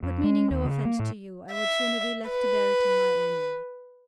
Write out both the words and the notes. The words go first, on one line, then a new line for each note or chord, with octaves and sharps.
But, meaning no offence to you, I would sooner be left to bear it in my own way.
F2
G#3
D#2
C#3
A#3
A2
E5
B4